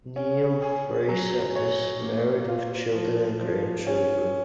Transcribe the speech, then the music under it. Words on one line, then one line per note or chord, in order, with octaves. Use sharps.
Neale Fraser is married with children and grandchildren.
C#4
G#4
F#3
C#5
A#3
F4
F3
F3
C#4